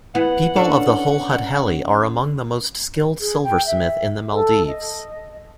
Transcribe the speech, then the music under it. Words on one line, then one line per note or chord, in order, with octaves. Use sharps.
People of Hulhudheli are among the most skilled silversmith in the maldives.
E3 B3 F#5
C#4 D4 A4
G#4
G5
E5
A4
D#5